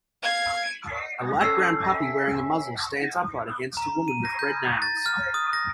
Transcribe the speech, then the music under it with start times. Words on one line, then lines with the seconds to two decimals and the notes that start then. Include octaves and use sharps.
A light brown puppy wearing a muzzle stands upright against a woman with red nails.
0.23 F5 G#6
1.41 C#4 A4 E6 C7
3.77 A#5
4.08 D#7
4.25 A#6
4.39 G6
4.82 A6
5.06 F6
5.34 D#6
5.53 A#6